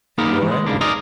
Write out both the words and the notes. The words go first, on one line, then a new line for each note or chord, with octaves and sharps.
And you are angry!
A#3 B3 D#4 G4 G#4 A#4
G#2 E3
G#3
G#2 C#3 A#3 D4
D#4 G#4 A#4 D5 D#5